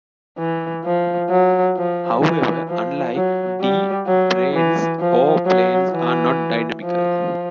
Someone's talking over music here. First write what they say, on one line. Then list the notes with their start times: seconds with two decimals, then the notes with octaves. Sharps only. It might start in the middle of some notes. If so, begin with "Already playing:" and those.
However, unlike D-branes, O-planes are not dynamical.
0.38 E3
0.85 F3
1.30 F#3
1.77 F3
2.23 E3
2.68 F3
3.15 F#3
3.61 G3
4.08 F#3
4.53 E3
5.00 F3
5.46 F#3
5.93 E3
6.85 F3